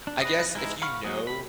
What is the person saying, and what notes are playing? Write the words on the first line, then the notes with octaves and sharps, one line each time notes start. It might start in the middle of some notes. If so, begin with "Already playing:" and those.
I guess if you know
D4
B4 D#5
G#3 D#4 E4
F5 F#5 B5 C#6 F6
F#3 A#3 F#4 G#4
B5